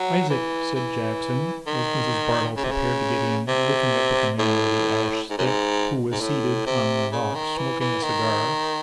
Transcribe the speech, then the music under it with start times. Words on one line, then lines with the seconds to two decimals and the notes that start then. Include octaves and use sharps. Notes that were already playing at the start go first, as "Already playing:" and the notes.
'Isaac,' said Jackson, as Mrs. Bardell prepared to get in, looking up at the man with the ash stick, who was seated on the box, smoking a cigar.
Already playing: F#3
0.30 E3
0.75 E3
1.66 D#3
2.57 C#3
2.64 C3
2.71 C#3
3.48 C3
4.39 A2
5.30 G#2
5.38 F#2
5.46 G#2
6.12 G#2
6.21 A2
6.66 C3
7.12 C#3
7.35 D#3
7.58 E3
7.80 E3
8.03 D#3